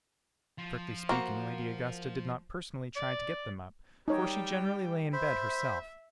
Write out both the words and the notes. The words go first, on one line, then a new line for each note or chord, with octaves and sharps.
Strictly speaking, Lady Augusta did not personally try to get them up, for she generally lay in bed herself.
F3
A#3 F#4 C5
D5
G3 D#4 C#5 G5
C5 E5 B5